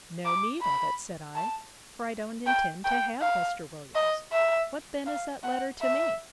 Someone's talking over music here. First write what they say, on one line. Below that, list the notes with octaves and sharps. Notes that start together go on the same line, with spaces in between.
No need of it, said I; for I don't intend to have Mr. Williams: What then is that letter to me?
D6
B5
A5
G5
G5
F5
D#5
E5
F5
F#5
E5